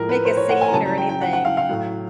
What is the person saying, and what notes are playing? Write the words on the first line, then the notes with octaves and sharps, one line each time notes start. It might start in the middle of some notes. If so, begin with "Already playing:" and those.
Make a scene or anything.
Already playing: A2 F3 G#3 A#4
B4
C5
C#5
F#5
G#5
A#5
C#3 F#3 A5
A#5
G5
G5
F#5
F#5
F5
F5
A2 F#3